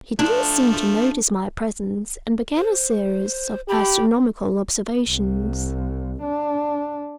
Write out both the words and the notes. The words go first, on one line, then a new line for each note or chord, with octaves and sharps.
He didn't seem to notice my presence and began a series of astronomical observations.
F3 A3 D4
C5
G4 B5
C2
D4